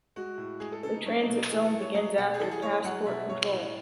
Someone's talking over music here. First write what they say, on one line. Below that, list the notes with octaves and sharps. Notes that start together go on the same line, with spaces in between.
The transit zone begins after passport control.
G#3 F#4
A2
G#3 G#4
A4
C#3 A4
D#4
F#3 C#4
D#4
B2
D#4
E3 G#4
A4
G#3
C#5
F#3 D#5
B2 F#5
G#4
E3 A4
G#4
G#3 C#5
D#5
F#3 F#5
B2 E5
F#3 C#5
A2